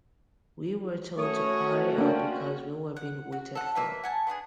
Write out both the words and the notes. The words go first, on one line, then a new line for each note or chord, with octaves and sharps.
We were told to hurry up because we were being waited for.
A3 C#4 F#4 C#5 C#6 D#6
A#3 D4 F4 G5
F#5
F#4
A4 F#5
A#3 B4 E5
F#5 G#5 A5
B3 D4 F#4 G#4